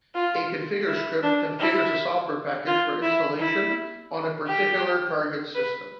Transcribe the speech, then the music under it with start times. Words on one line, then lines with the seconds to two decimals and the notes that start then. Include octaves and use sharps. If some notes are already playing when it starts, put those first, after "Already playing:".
A configure script configures a software package for installation on a particular target system.
0.15 F4
0.88 E4
1.23 D4
1.59 E4
2.67 F4
3.02 E4
3.39 E4
4.47 G4
5.55 B4